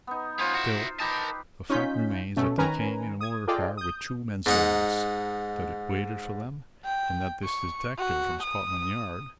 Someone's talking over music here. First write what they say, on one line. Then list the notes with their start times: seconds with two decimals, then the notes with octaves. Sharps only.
Still, the fact remains that they came in a motor car with two men-servants; that it waited for them; and that this detective from Scotland Yard--Mr.
0.07 B3 D#4
0.39 C#4 F4 B4 C5
0.54 E4 F#4
1.00 D#4 G4 A#4 B4 A5
1.70 C#4 D#4 F4 G6 B6
2.37 B2 A3 C#4
2.58 D#3 C#4 A#4 B4 G#5 A#5
3.21 D#6 G#6
3.48 F4 G#4 A4 D5 D#5 G5
3.77 D#6 G6
4.46 G#2 D#4 F#5
6.85 G5
7.44 C#6
7.98 F#4
8.43 D#6